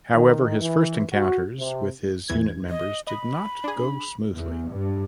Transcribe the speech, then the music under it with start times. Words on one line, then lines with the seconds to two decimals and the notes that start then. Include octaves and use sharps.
However, his first encounters with his unit members did not go smoothly.
0.15 D#3
0.60 E3
1.13 F#4
1.58 C3
2.28 E2 E3 G#6
2.69 D#5
3.07 D#5 B5
3.64 D4 G#4
4.33 E2
4.71 G2